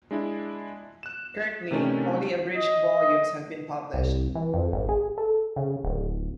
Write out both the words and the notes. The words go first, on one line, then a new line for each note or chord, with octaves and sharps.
Currently, only abridged volumes have been published.
G#3 D4 E4
F#6 E7
C3 D#3 A3 C#4 D4
D#5
C2
E3
F2
G#1
G#4
A4
C#3
D1